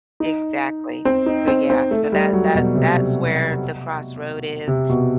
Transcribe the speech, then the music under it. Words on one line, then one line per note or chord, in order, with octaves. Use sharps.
Exactly. So yeah, so that that that's where the crossroad is,
D#4
C4
D#4
C4
C4
A3
G3
F#3
B2
C3
C3
B2